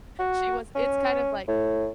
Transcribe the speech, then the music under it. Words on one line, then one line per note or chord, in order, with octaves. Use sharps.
She was it's kind of like
F#4
C#4
A2